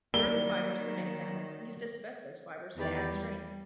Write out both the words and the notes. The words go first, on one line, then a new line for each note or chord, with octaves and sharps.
Early fiber cement panels used asbestos fibers to add strength.
D#3 F#3 G3 A#3 G7
E2 D#3 G4 B4 D5
G3